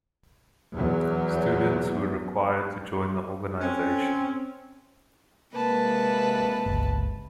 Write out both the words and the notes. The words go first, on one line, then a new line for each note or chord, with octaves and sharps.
Students were required to join the organisation.
E2 F#3
C4 C#4
C3 G#3 A#3 B4 A5
G1 C#2